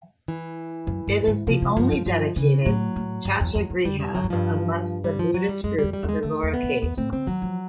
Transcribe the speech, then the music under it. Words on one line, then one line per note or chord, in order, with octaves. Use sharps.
It is the only dedicated chaitya griha amongst the Buddhist group of Ellora caves.
E3
F#2
G2
G#2
C3 F3
C3
G2 F3
F#2
G2 F3
C#3 E3
A2 F#3
A2
G2
E2
F2
F#2
F2 G3
G3
G2 F#3
F#2
G2 F3
G3
F3
F#3
G3
F#2 G#3
F2 G3
G3
E2
G#3
F2 A3
E2
B3
F2
E2 B3
A2 C4
D3 C4
D#3 F#3
F3